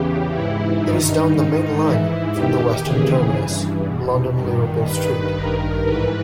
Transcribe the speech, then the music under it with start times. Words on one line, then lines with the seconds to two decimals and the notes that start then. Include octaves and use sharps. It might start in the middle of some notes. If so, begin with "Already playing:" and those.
It is down the main line from the western terminus, London Liverpool Street.
Already playing: E2 C#3 E3 G4
0.30 G#2 E3 E4
0.81 G2 D#3 D#4
1.31 G#2 D#3
1.82 G#2 E3 E4
2.32 E2 D#3 G4
2.82 D#2 C#3 E3 G#4
3.33 G2 E3
3.84 E2 B2
4.34 G2 D#3
4.84 G2 D#3 B4
5.35 G2 D#3 A#4
5.85 G#2 E3 B4